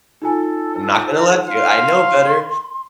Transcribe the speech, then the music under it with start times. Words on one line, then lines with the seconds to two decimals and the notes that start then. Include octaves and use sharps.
I'm not gonna let you, I know better."
0.22 D#4 F4 A4 G#5
1.47 F5 C6